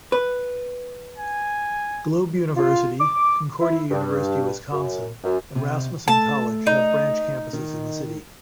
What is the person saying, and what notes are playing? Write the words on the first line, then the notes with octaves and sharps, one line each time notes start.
Globe University, Concordia University Wisconsin, and Rasmussen College have branch campuses in the city.
B4
G#5
F4
D6
E4
G2
F#2
F#2
C3
A3 A5
D#4
D#3